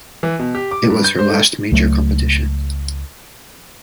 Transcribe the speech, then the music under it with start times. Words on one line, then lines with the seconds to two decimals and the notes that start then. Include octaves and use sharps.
It was her last major competition.
0.23 E3
0.39 B2
0.55 G4
0.71 D6
0.90 G2
1.04 G6
1.19 C5
1.30 A3
1.72 C#2 F#3 A3